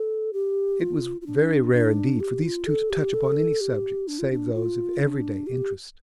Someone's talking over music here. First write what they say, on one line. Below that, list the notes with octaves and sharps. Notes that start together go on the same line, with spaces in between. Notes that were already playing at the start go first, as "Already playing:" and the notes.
It was very rare indeed for these two to touch upon any subject save those of everyday interest.
Already playing: A4
G4
F4
F4
D4
D4
G4
F4
A4
G4
A4
G4
D4
F4
D4
F4
D4
G4